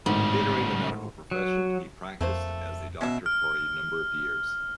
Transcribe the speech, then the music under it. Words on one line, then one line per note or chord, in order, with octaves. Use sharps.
Entering the medical profession, he practised as a doctor for a number of years.
G#1 A2 C#3 G3
F#3
F2 A3 A#3 C5
B2 C#4 E5
F6